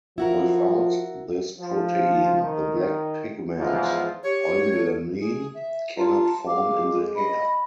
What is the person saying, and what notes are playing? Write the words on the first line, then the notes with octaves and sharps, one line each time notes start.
Without this protein, the black pigment eumelanin cannot form in the hair.
F3 E4 F#4 A#4
F3
D#3
E2 G#2 F3 G#3 F4 C5
G4 C#5
A4
G#4
E5
F4 A5 A#5
G#3 F5 D6
D#5 B5